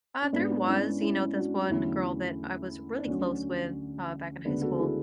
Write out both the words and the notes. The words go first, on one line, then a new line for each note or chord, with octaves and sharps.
Uh, there was, you know, this one girl that I was really close with, uh, back in high school.
C#4
G#2 G#3 B3 D4
C#4 E4
C#4 E4
D4 F#4
E2 D3 F#3 A3 C#4 E4
D4
D2 D3 F#3 C#4
D2 C#3 G#3 B3 D4
F#4 A4
E4 G#4